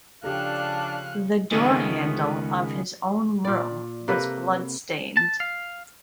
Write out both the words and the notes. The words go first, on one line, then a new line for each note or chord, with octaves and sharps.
The door-handle of his own room was blood-stained.
C#3 F3 D4 G4 A4 F5 F#6
C#2 D#3 G#3 A3 B3 C#4
A#2 D5
C3 A#3 A4 B4
A5
F5